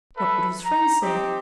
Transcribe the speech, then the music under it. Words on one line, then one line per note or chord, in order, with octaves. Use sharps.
What would his friends say?
A4 B4 E5 B5
A#5
C4 D#4 G4